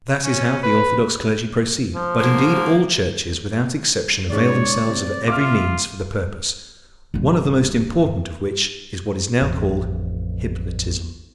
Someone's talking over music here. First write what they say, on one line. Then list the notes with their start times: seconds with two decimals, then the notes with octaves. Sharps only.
That is how the Orthodox clergy proceed; but indeed all churches without exception avail themselves of every means for the purpose --one of the most important of which is what is now called hypnotism.
0.24 C#4
0.63 B4
1.95 F3
2.19 G#2 A#3
4.30 D#2 G#2 C#3 C#5 D5
4.87 A2 C3
5.28 F4 E5 D6 F6
7.14 D#1 G2
9.42 A1 F2